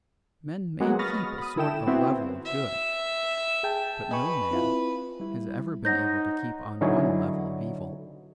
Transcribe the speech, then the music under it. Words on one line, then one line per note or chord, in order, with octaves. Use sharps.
Men may keep a sort of level of good, but no man has ever been able to keep on one level of evil.
F#3 G#3 A#3 B3 F#4 F#5
B5 C#6 D#6 F6 A6 A#6
B5 D#6
D3 E4 A4 G5 E7
B3 C4 E4 F#4
E5
G#4 G5 A5
B4 D#5 G#5 C#6
C4 E4 F4
G3 E4
D#4 C5 C#5 F#5 G6 A#6
D3 F#3 D#4 E4 C#5 G#5